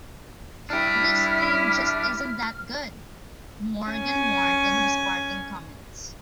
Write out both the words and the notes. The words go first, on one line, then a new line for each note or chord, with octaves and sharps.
"This team just isn't that good", Morgan warned in his parting comments.
D4 E4 G4 F6
C#4 G#5